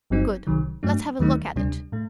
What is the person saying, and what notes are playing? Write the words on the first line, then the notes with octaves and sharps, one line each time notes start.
"Good; let's have a look at it."
G1 G2 F#3 C4 D#4
C2 C3 D#3 F#3
G2 F#3 A3 D4
D#2 D#3 F#3 A3 D#4
D2 C3 G3 D4
A2 A3